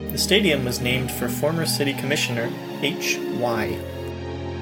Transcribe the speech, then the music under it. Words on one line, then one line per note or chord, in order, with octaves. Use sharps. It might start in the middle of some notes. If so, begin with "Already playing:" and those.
The stadium was named for former city commissioner H. Y.
Already playing: D#2 D3 G3 A#3 D#5
G#5
G#5
F#5
B2 G#3 B3 G5
G#5
A5
B5
D3 F3 G#3 C#4 F4 A#5
A5
A5
F2 C3 F3 A3 C#4 A#5
G#5
G5